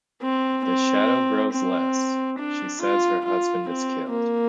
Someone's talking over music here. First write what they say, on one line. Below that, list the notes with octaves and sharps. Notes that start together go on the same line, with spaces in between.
If the shadow grows less, she says her husband is killed.
C4
C4
C4
D4
F4
F4
C4
A#3